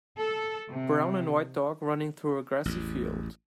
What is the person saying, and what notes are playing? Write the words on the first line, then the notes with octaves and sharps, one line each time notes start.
Brown and white dog running through a grassy field.
A4
C3
A1 E2